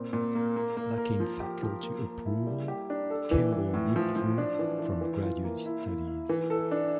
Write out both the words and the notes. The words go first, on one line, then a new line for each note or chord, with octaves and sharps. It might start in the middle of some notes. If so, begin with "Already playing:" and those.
Lacking faculty approval, Campbell withdrew from graduate studies.
Already playing: A#2 C4
A#2
A#3
A#3
A#3
A#4
F3
G4
F3
A#3
A#3
E4
G3
G4
D4
A4
E3
E3
A2
F3
F3
D4
E3
E3
E3
F4
A#3
E4
E4
E4
E3
A4
D4